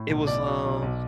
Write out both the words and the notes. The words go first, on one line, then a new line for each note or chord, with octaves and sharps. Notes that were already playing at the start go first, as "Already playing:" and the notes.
It was, um
Already playing: A2
B1
B1 D5
F#3
B1
B1